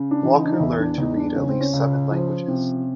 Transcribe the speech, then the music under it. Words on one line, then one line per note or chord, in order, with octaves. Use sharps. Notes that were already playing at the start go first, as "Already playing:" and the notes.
Walker learned to read at least seven languages.
Already playing: C#3
D4
E3
D#4
D4
D#4
E2 E4
D4
E2 D#4
D4
C#2 C#4
C4
C#4
C#2
F3
C3